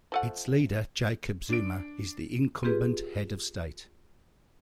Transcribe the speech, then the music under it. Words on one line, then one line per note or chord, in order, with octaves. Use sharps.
Its leader Jacob Zuma is the incumbent head of state.
F3 A3 F#5
D4 D7
C4 F4 G4 G#4 B4